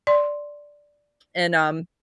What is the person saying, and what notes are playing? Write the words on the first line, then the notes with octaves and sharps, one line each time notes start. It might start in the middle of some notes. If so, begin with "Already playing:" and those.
and, um,
D5 C6